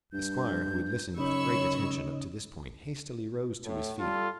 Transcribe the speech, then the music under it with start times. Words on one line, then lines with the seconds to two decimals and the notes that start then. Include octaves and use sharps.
The squire, who had listened with great attention up to this point, hastily rose to his feet.
0.13 G2 G6
1.18 F#2 C#3 D#4 C#5 B5 C#6 E6
3.65 A2
3.99 G3 F4 A4